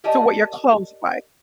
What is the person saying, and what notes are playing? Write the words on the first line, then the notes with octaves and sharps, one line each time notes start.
to what your clothes like.
G4 A#4 D5 D#5 G#5 A5